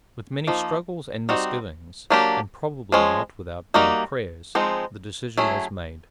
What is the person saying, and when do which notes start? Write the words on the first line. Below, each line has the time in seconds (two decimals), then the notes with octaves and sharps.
With many struggles and misgivings, and probably not without many prayers, the decision was made.
0.47 F3 A#3 D#4
1.29 G3 C4 D#4 F#4
2.10 F#3 A#3 D4 G4
2.92 F3 G#3 C#4
3.74 G3 A#3 D#4 F#4
4.55 F3 G#3 C4 D#4
5.37 F#3 A3 C#4 E4 G#4